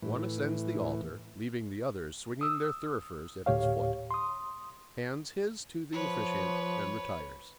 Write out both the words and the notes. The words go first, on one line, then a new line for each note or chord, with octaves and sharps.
One ascends the altar, leaving the others swinging their thurifers at its foot--hands his to the officiant and retires.
A2 E3
D#6 E6
D2 A2 G4 C#5 F5
C6 D#6
F3 B4 C#5